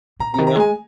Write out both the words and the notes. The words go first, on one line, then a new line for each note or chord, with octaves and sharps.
you know?
A#2 A#5
A#5
D#3
A#5
G#3 G#5